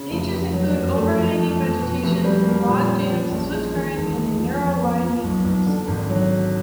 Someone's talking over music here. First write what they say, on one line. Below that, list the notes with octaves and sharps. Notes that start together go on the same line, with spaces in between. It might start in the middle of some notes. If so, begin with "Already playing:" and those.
Dangers include overhanging vegetation, logjams, swift current, and a narrow winding course.
Already playing: C#3
F1
F1
F#3
F#2
A3
F3
F2
F2
B2
F1
G3
A#3
A#2
C#4
F3
A#1
G#3
D#3
E1
G#3
F3
F2
A#3
F3
B1
B1
D3
G#1
F#3